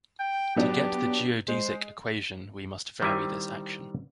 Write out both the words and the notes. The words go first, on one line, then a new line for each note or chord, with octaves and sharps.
To get the geodesic equation we must vary this action.
G5
F#3 B3 D4 G4
G#3 C5
D#3 G3 C4 E4 G#5